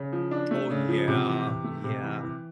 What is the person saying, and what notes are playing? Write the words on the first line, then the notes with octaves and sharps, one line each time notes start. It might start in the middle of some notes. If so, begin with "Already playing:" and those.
Oh, yeah, yeah.
Already playing: C#3
F3
D4
A3
C#3
F3
C3
E3
C3
A3
C3
E3
E3